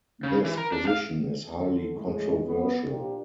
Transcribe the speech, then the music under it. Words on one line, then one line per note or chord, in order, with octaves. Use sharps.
This position is highly controversial.
C#3
E3
A#4
D4
F5
D3 A4
A2 C#3 G#3
B3
A#2 F3 A#3 D4 G4